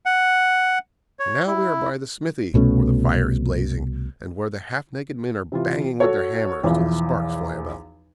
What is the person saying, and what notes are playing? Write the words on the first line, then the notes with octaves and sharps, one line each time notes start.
And now we are by the smithy, where the fire is blazing, and where the half-naked men are banging with their hammers till the sparks fly about.
F#5
C#5
E4
C2 B2 A3 C#4
C3 E3 F4
F#4 A4 C#5
B1 E2 E3 F3